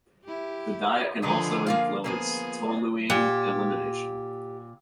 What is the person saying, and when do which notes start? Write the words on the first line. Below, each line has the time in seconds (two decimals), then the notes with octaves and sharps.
The diet can also influence toluene elimination.
0.25 E4 G4
1.22 D3 D#3 F3 D#4 G#4 B4
1.67 A#3 F4 F5
2.04 F3 G3 A#3 B3 G#4
3.10 A#2 G4